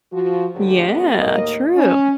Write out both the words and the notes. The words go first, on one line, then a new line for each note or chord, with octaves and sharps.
Yeah, true.
F3 F#4
D2 G#2 D3 F#3 G#3 G4
F#2 G#3 B3 D#5
D#2 A2 A#3 D#5
C#4